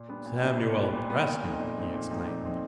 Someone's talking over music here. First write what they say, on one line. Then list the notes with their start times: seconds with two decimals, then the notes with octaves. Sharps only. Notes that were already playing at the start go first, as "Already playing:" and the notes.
"Samuel Prescott!" he exclaimed.
Already playing: A#2
0.09 G3 B3 D4
0.26 A#2
0.42 G3 B3 D4
0.60 A#2
0.76 G3 B3 D4
0.93 A#2
1.10 G3 B3 D4
1.27 A#2
1.44 F3 A3 C4 D#4
1.60 A#2
1.77 F3 A3 C4 D#4
1.94 A#2
2.10 F3 A3 C4 D#4
2.28 A#2
2.44 F3 A3 C4 D#4